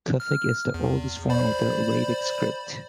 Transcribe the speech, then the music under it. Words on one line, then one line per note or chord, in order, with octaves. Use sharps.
Kufic is the oldest form of the Arabic script.
F6
E2
C5 D5 B5